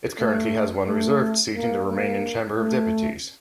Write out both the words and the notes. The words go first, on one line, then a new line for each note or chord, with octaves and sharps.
It currently has one reserved seat in the Romanian Chamber of Deputies.
A3
A3
A#3
A#3
A3